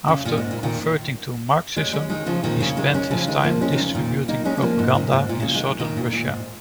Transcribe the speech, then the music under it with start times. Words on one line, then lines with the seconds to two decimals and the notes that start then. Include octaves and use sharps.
After converting to Marxism, he spent his time distributing propaganda in southern Russia.
0.08 C#3
0.25 A#2
0.38 G#2
0.51 A#2
0.63 A#2 D#3
1.76 G#3 C#4
1.93 G#3 C#4
2.10 D#3 G#3
2.26 C#3 F3
2.44 A#2 D#3
2.61 C#3
2.77 D#3 G#3
2.94 G#3 C#4
3.11 C#3 F3
3.27 D#3 G#3
3.44 F3 A#3
3.61 G#3 C#4
3.72 D#3
3.78 C#3
3.95 A#2 D#3
4.28 A#3 D#4
4.45 G#3 C#4
4.57 C#4
4.62 F3 A#3
4.79 G#2
4.95 A#2
5.12 G#2
5.29 A#2
5.42 C#3
5.54 D#3 G#3
5.80 A#2 D#3
5.97 A#2
6.13 A#2
6.27 G#2